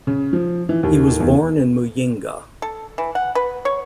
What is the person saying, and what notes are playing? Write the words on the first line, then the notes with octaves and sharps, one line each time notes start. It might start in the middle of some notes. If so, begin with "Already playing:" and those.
He was born in Muyinga.
C#3
F3
E3
D#2
E2
A4
E3
F#5
B4
C#5